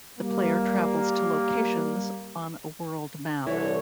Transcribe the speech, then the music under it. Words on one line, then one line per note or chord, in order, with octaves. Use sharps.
The player travels to locations on a world map.
G3 A#3
C2 D3 E3 C#5